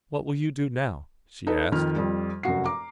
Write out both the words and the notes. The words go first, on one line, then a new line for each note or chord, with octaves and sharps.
"What will you do now?" she asked.
D#4 A4 B4
F2 D#3 F6
F2 G3
F1 F#2 F#4 C7
A#5 D6